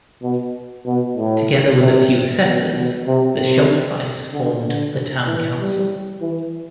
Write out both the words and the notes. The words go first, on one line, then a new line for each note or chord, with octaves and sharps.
Together with a few assessors the "Schultheiss" formed the Town Council.
B2
B2
A2
C3
B2
B2
C3
C3
D3
D3
E3
G3
E3